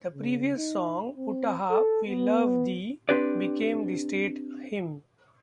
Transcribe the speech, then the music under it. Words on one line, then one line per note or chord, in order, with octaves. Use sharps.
The previous song, "Utah, We Love Thee" became the State Hymn.
C#3
D#4
C4
A4
B3
C4 D4 G4 B4 D5